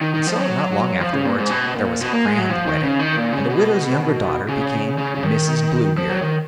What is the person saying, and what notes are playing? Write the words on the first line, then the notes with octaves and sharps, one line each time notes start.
And so, not long afterwards, there was a grand wedding, and the widow's younger daughter became Mrs. Bluebeard.
D#3
D#3
F3
F#3
F3
C#3
A#2
G#2
B2
A#2
B2
A#3
G#3
F#3
F3
D#3
C#3
D#3
A#2
C#3
B2
C#3
C#3
C#3
D#3
F3
F#3
D#3